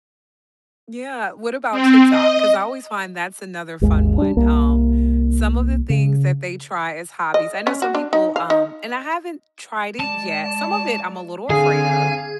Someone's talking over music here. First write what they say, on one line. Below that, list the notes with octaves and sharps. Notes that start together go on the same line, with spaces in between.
Yeah. What about TikTok? 'Cause I always find that's another fun one, um, some of the things that they try as hobbies I know some people, um and I haven't tried it yet some of it, I'm a little afraid of,
C4
D#5
G#1 D#2 G#3
G3 D4
C2 A#3
C#3
D#5
C#4
F#4
D4
D#4
F5
D#4
G#3 D5 A5
D3 C4 D4 G#4 F5 G#5